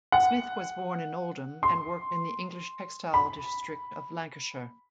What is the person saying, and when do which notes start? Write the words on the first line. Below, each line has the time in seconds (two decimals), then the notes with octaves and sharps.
Smith was born in Oldham and worked in the English textile district of Lancashire.
0.12 F#5
1.63 C6
3.14 B5